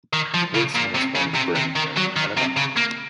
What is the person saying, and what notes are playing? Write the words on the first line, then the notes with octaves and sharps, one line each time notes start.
Wilson was born in Birmingham, Alabama.
D#3
F3
C#3
A#2
C3
C#3
C3
C3
D#3
F#3
D#3
C3
C#3
A#3